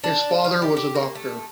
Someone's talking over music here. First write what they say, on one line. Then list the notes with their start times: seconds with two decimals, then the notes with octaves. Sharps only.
His father was a doctor.
0.04 D4
0.31 A4
0.44 F5
0.62 G4
0.77 G4
0.95 A#3
1.15 A3